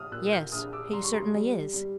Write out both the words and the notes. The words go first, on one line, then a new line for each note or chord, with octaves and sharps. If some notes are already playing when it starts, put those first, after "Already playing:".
"Yes, he certainly is."
Already playing: A#1 D#6 F6
A#2 E6 F#6
F6 G6
A#1 D#6 F6
D6 E6
G3 A#5 C6
C#6
A#5 C6
G3
G3